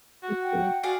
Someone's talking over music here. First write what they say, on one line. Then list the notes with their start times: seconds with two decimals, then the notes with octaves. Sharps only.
me too.
0.23 F#4 F#5
0.43 G5
0.83 F#4 G#4 D5 F5